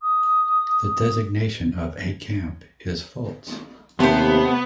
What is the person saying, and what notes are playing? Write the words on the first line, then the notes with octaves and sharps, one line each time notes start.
The designation of "a camp" is false.
D#6
D#2 C3 A3 B3 C5